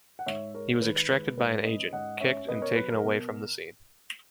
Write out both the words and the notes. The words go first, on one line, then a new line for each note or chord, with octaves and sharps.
He was extracted by an agent, kicked, and taken away from the scene.
F#5
G#2 C#5 E5
G#3 A#4 C#5
D#3 B4
G#3 B4
G#2 B4
C#4 B4 D#5
G#2 D#5 F#5
C#4 C#5 E5
B2 B4 D#5
A#4 C#5
F#3 B4
A#4
B2